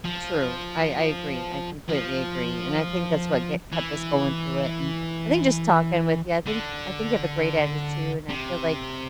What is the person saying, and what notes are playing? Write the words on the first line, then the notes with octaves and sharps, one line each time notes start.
True. I I agree, I completely agree. And I think that's what get kept us going through it, and I think just talking with you, I think I think you have a great attitude, and I feel like
F3
F3
E3
D3
C3